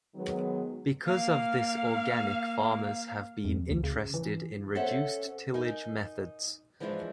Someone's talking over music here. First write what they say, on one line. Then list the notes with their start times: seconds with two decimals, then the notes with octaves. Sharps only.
Because of this organic farmers have been interested in reduced-tillage methods.
0.15 D#3 F#3 G#3 B3
1.06 A#3 F5
3.45 F2
3.70 D2
3.84 C#3
4.14 E3
4.75 C#4 A4 C5 E5 F#5
5.54 D#4 A#4 G#5
6.80 E3 F3 G#3 D4 E4 F4